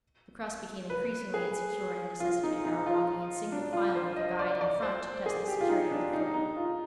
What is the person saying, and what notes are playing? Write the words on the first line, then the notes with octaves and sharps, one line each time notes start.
The crust became increasingly insecure, and necessitated our walking in single file with the guide in front, to test the security of the footing.
B4
G#4
F4
D#4
D#4
F4
D4
F4
C5
D#5
D5
D5
C5
G#4
G4
F4
D#4
D4
D#4
D#4
F4